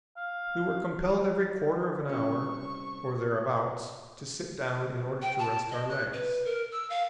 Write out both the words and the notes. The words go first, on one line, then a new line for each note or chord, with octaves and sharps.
We were compelled every quarter of an hour or thereabouts to sit down in order to rest our legs.
F5
C2 C#4 C#6
G5
A5
D#5
F#6
B4
A#4
E6
F5